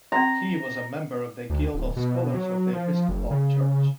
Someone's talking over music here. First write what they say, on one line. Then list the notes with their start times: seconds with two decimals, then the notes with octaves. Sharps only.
He was a member of the Guild of Scholars of The Episcopal Church.
0.12 C4 F#5 A#5 C6
1.50 D2
1.74 D1
1.96 B2
2.35 F#3
2.73 F3
3.09 F#1
3.31 C#3